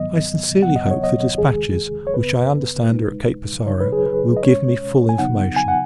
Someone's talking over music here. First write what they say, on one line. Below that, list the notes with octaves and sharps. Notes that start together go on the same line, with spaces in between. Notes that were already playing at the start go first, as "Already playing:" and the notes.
I sincerely hope, the dispatches, which I understand are at Cape Passaro, will give me full information.
Already playing: G#2 D#3 F#3 B3 D#5
D#2 C#3 F#3 B3 F#5
D#5
C#5
D#5
D#2 D#3 G#3 G#4
C#5
F#2 C#3 B3 B4
B2 G#3 D#4
F#2 C#3 F#3 D#4 C#5
B4
G#4
B4
D#5
B2 G#3 C#4 C#5
G#5
C#3 F#3 B3 D#4 F#5
G#5
F#5